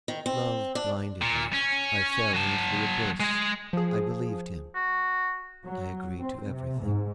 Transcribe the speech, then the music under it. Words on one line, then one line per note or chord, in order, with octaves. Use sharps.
Love blinded me; I fell into the abyss; I believed him; I agreed to everything.
D#3
C4
D4
A#2
C#4
F#3 A5
G#3 G#4
F3 G#4
F#4
F#3
C4
C3
G#2